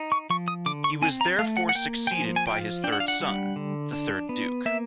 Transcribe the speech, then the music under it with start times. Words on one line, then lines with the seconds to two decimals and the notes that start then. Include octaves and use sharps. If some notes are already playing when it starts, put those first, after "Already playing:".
He was therefore succeeded by his third son, the third Duke.
Already playing: D#4
0.12 C#6
0.30 F3 C#6
0.48 D#6
0.66 D3 D6
0.84 C#6
1.02 C4 G#5
1.21 A#5
1.39 A3 F5
1.57 F#5
1.69 F#5
1.75 A#3 G5
2.07 G5
2.11 F3 G#5
2.36 G#5
2.47 F4 G5
2.84 D4 G5
2.92 F#5
3.00 F5
3.08 F#5
3.20 G3
3.56 D3
3.93 D4
4.29 B3
4.65 A#3 E5